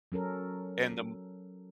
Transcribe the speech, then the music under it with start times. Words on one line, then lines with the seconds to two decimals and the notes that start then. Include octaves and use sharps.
and, um
0.12 F#3 C#4 A4 A#4